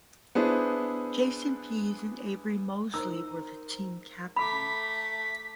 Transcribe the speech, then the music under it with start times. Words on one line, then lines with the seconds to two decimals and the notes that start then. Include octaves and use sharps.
Jason Pease and Avery Moseley were the team captains.
0.35 B3 D4 E4 G#4 C5
2.94 D#4 A#4 C5 E6
4.36 A3 A#5 B5 D6 B6